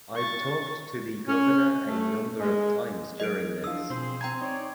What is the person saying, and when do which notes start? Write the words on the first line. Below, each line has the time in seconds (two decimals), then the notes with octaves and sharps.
I’ve talked to the Governor a number of times during this.
0.16 C#6 A6
1.27 C#4
1.87 A3
2.40 G#3
3.20 F#3 G#4 A#4 D#5 D7
3.64 F3 D4 E4 F5 D#6 E6
3.90 B2 C4 G#4 C5
4.21 C4 G5 G#5 A#5 C6
4.41 C4 D#4 C#5 D5